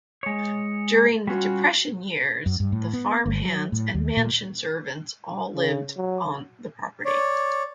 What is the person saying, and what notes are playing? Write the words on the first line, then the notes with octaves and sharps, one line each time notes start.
During the Depression years, the farmhands and mansion servants all lived on the property.
G#3 C#5
G3 C#4 F4 F#4
F#2
G2
A2
B3
G1
F#3
A2
D#2
A#2
C#3
F#3
C#5 D5